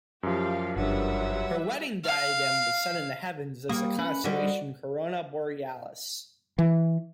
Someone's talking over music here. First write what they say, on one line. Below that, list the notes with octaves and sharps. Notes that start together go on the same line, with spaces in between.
Her wedding diadem was set in the heavens as the constellation Corona Borealis.
F#2 F3 G4 F5
G1 F#3 G3 D4 A#4 B4 E5 F#5
F5
G3 A#3 C#6 D#6
C#4 B4 B5
D3 G3 F#4 D5 D#5
E3